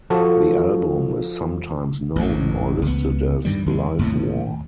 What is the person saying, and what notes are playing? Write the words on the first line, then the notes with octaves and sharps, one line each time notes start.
The album is sometimes known or listed as "Live War".
F3 F#4 A4 A5
A1 F2 G#2
C#2 B3
G2 D#3 G3
D#2 G3 G#3
D#2 A2 C3